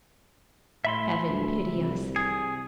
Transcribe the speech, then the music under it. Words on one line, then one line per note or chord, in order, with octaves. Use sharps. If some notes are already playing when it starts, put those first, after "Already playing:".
Heaven pity us!
A2 E5 B5 C6
D2
C2
G#4